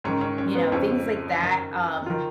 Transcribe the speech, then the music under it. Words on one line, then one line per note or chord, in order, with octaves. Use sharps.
you know, things like that, um,
G#2 D#3 C#4
C#4
C#4
B3
F2 C#3 F3 C#4
F#2 D#3
D#3 F4